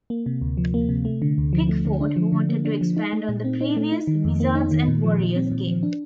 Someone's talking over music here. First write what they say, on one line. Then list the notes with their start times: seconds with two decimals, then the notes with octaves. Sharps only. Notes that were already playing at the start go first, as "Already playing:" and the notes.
Pickford wanted to expand on the previous "Wizards and Warriors" game.
0.10 A#3
0.26 C3
0.41 D2
0.57 F3
0.74 A#3
0.89 C3
1.05 A3
1.22 D3
1.38 D2
1.53 F3
1.69 A3
1.85 D3
2.01 D4
2.16 F3
2.32 D3
2.49 A#3
2.65 D4
2.81 F3
2.97 D#4
3.13 A3
3.29 A#2
3.44 C4
3.61 D#4
3.77 A3
3.92 D#4
4.07 D#3
4.25 F2
4.40 A#3
4.55 D#4
4.71 D#3
4.88 A#2
5.04 F3
5.20 A#2
5.36 C4
5.52 A#2
5.67 F3
5.83 D4